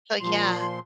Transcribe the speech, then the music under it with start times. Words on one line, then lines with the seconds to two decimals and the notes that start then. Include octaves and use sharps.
So yeah.
0.20 A#2 F3 C6